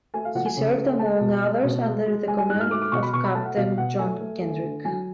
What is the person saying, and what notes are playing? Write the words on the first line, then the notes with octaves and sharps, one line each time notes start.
He served, among others, under the command of captain John Kendrick.
A3 G#5
F5
F3 F#5
G#5
C#3
A3
G#3 A5
B2
G#3
B2
G#3
G#3
G#3 G#5
G#5
G#2 F#6
F6
A3 D6
D6
B2 C#6
B5
B2 C#6
B5
A3 A5
F#5
B2 F5
B2 F#5
A3 G#5
A3
A3
D3
F#3 G#5